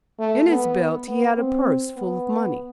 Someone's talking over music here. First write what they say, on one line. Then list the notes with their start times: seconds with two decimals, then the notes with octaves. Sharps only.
In his belt he had a purse full of money.
0.19 A3
0.49 B3
1.08 B3
1.38 C4
1.98 B3